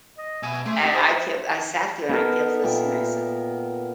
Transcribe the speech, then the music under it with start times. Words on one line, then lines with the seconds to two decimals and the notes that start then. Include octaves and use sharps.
and I kept I sat there and I kept listening I said,
0.18 D#5
0.43 B2 E5 G#5
0.66 A3 C#4 E5 C6 D6
0.80 C4 G4 G#5
0.94 C5 D#5
2.09 B3 D#4 A4 A#4
2.63 A#2 E5 G5